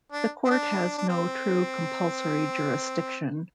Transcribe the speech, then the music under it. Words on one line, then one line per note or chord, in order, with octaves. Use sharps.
The court has no true compulsory jurisdiction.
D4
C4
D4
D4
C4